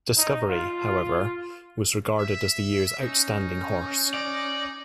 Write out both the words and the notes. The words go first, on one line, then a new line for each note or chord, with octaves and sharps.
Discovery, however, was regarded as the year's outstanding horse.
D#4
F4
E5
C#4 D#4
D5